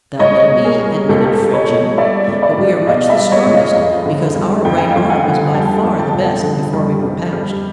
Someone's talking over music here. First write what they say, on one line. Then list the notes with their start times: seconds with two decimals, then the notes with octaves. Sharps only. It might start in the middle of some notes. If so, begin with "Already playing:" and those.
"That may be," admitted Fredjim, "but we are much the strongest, because our right arm was by far the best before we were patched."
0.19 C#2 C#5 D#5
0.50 B2
0.64 G#4 A#4
0.79 G3
1.09 C#2 G4 A4
1.39 C#2
1.54 C#5 D#5
1.69 B2
1.98 G3 D5 E5
2.27 C#2
2.42 D5 E5
2.57 C#2
2.87 B2 D#5 F5
3.09 D5 E5
3.17 G3
3.31 C#5 D#5
3.47 C#2
3.54 D#5 F5
3.76 F2
4.06 D3
4.36 G3
4.65 F2 G5
4.78 G#5
4.91 F2 F5 G5
5.10 F#5 G#5
5.25 D3
5.54 G3 G5 A5
5.84 F2
5.99 G5 A5
6.13 F2
6.43 D3
6.73 G3
7.03 F2
7.33 G3